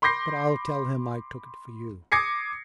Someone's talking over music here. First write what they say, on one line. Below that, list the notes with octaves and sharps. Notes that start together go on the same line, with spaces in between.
But I'll tell him I took it for you.'
B5 C6 D6 G6 A#6 C7
D6 D#6 G#6 A#6 C7 C#7